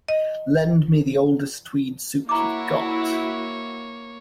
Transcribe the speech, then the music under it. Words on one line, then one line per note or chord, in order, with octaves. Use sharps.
Lend me the oldest tweed suit you’ve got.
D#5
A#3 E4 F#4 C#5 A#5 D6